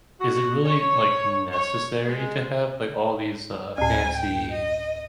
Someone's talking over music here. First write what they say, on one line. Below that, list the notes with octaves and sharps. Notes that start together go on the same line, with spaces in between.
is it really, like, necessary to have, like, all these, uh, fancy,
F#4
C#5
C#5
G#3
D2 A2 G#5
G5
D#5